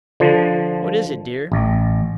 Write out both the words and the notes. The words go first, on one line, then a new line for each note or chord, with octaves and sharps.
"What is it, dear?"
D3 F3
A1